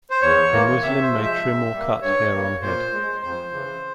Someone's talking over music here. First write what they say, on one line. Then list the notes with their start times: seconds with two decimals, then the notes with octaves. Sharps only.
A Muslim may trim or cut hair on head.
0.10 C5
0.22 E2 C#5
0.52 E3 A#3
0.83 C3 E5
1.02 C5
1.12 F3 G#3
1.22 E5
1.43 G#2
1.72 G3 A#3
2.02 G2 C#5
2.32 G3 A#3
2.62 A#2 C5
2.93 G#3
3.22 F2 C5
3.52 C#3 E3